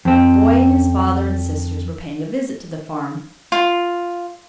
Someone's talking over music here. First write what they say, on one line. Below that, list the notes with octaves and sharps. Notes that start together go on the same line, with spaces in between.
The boy and his father and sisters were paying a visit to the farm.
F2 C4
F4